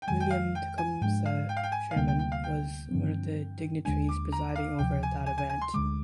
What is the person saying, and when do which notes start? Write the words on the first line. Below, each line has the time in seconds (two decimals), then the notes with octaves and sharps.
William Tecumseh Sherman was one of the dignitaries presiding over that event.
0.02 G5
0.08 F2 D#3 G#3 G#5
0.20 G5
0.31 F5
0.55 G5
0.78 G#5
1.01 G#2 F3 G#3 D4 G5
1.26 F5
1.49 G5
1.57 F5
1.64 G5
1.72 G#5
1.91 F5
1.96 D2 C3 G3 A#3 G5
2.08 G5
2.19 G5
2.32 F5
2.44 G5
2.91 G2 D3 F3 C4
3.85 D#2 D3 G#3 D4 G#5
4.09 D6
4.32 A#5
4.56 F5
4.79 D2 C3 F3 G5
5.03 G#5
5.26 G#5
5.38 G#5
5.49 G#5
5.61 C6
5.74 D2 D3 G#3 D6